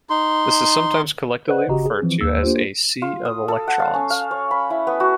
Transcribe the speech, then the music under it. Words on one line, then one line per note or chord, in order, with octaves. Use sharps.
This is sometimes collectively referred to as a "sea of electrons".
D#4 C6
B4 C5 D5 D#5 F#5 F#6
G1 C#3 F#4 G4 D#5 A#5
G#4
E3 F3 C4
D#2 A#3 E6
A#3 D4 F4 G4 C5
F4
D#6
A4
F#5
F5
C#4
F5
C#5
B5
E4
B3
F#4